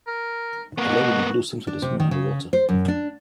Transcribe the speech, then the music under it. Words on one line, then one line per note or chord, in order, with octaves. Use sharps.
A lady in a blue swimsuit is swimming underwater.
A#4
B2 A#3 B3 F#4
D4
C3
D#3
C#3
C5
F#2
D4